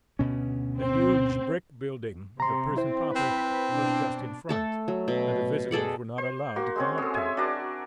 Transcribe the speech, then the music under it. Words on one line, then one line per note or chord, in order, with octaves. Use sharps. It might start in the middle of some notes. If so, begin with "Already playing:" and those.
The huge brick building, the prison proper, was just in front, and the visitors were not allowed to come up to it.
D2 B2 C#4
C4
C3 A#5 C6
C4 E4 C5
C4 B4
B2 D4
A3 A4 A5
F#3
B2
G#4 A4 D5 F#5
C5
A#3 F#4
G#3 C4 C#4
G#3 A4
E5 G#5
D4 F#4 A#4 D5